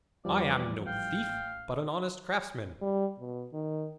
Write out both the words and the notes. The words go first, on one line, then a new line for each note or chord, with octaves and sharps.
I am no thief, but an honest craftsman.
E2 E3 F3 G3 D5
A1 F5 G5
G3
B2
D#3